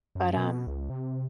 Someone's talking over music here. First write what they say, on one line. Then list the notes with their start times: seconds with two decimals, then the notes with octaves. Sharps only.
but, um,
0.15 F#2
0.37 B2
0.67 C#2
0.90 C3